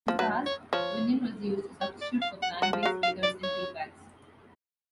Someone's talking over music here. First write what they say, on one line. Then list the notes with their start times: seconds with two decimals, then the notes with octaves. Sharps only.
In the past, Vinyon was used a substitute for plant-based filters in tea bags.
0.08 F3
0.19 F#3 B4
0.46 C#5
0.73 F3 C#5
1.81 C#5
2.01 D5
2.22 F5
2.42 F#5
2.62 F#3 F#5
2.73 F3
2.82 F5
2.85 F#3
3.03 F5
3.23 D5
3.44 C#5